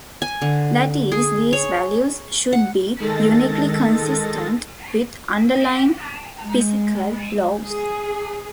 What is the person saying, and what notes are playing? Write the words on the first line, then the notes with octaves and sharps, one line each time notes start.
That is, these values should be uniquely consistent with underlying physical laws.
G#5
D3
G#4
C#5
F#5
D#3 G#3 A4 A6 A#6
G#3
G#4